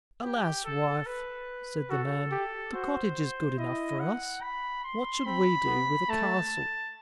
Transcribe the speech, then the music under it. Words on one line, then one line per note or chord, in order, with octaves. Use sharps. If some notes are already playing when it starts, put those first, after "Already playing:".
"Alas, wife!" said the man; "the cottage is good enough for us; what should we do with a castle?"
G4
A4
B4
F#4 A4
G4
F#4 C5
E4 D#5
F#5
B5
C6
C4 B5
B3
A3 A5